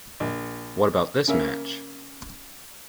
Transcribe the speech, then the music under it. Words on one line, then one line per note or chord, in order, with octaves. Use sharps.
What about this match?
A#1
C#3 A#3 C#4 A#4 E5